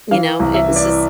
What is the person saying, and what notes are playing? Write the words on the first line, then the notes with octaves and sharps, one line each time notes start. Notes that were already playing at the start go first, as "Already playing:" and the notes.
you know, it's just
E3 F5
C2
E5
E3
D5